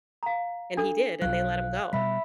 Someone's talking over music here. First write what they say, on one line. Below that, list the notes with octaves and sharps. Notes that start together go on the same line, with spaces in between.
and he did, and they let him go.
F5 A#5
D4 A4
B1 F#3 F5 F#6
B2 G3 E5 B5 B6